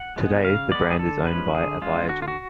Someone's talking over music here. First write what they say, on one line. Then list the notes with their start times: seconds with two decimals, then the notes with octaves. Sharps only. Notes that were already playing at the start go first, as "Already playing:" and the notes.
Today the brand is owned by Aviagen.
Already playing: F#5
0.16 G#3 B3
0.44 C#3 F5
0.72 G#3 B3 D5
0.91 G#4
0.99 D3 A4
1.26 F3 G#3 C#4 B4
1.54 D3 G#4
1.81 F3 G#3 C#4 F4
2.09 D3 F#4
2.22 F4
2.28 F#4